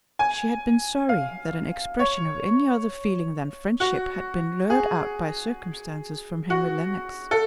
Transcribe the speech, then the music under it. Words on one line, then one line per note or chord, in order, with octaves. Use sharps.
She had been sorry that an expression of any other feeling than friendship had been lured out by circumstances from Henry Lennox.
G#5
F5
C#5
F#4
G#4
F#4
A4